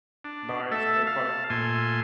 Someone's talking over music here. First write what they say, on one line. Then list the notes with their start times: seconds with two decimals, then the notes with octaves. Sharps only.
nice. Everybody
0.25 D4
0.72 A3 A4 E5
1.07 F5 A5
1.50 A#2 A3 G#5 C6